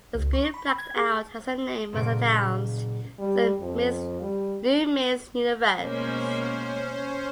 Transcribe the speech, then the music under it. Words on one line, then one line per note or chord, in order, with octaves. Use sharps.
The screen blacked out as her name was announced as the new Miss Universe.
C#2
C#6
B5
G#6
G#4
F#1 A#2 D7
G3
F2
G3
B2 G#3 A#3 C#4 C5